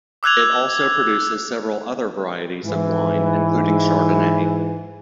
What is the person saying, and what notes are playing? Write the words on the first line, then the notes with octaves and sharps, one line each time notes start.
It also produces several other varieties of wine, including Chardonnay.
D6 E6 F#6 G#6 F7
G#2 E3